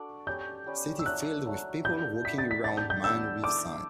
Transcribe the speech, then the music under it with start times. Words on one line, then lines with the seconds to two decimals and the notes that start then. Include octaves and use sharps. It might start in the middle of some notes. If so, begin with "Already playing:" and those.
City filled with people walking around man with sign.
Already playing: D4 F#4 A4 D5
0.27 G3 C#4 G4 G6
0.66 G3 C#4 G4
0.99 E6
1.06 F#3 A3 D4 F#6
1.46 F#3 A3 D4
1.85 G3 B3 E4 G4 G6
2.25 G3 B3 E4 G4 B6
2.38 A6
2.51 B6
2.64 B3 D4 A4 D5 A6
2.77 G6
2.90 G6
3.03 B3 D4 A4 D5 E6
3.43 E4 A4 D5 D6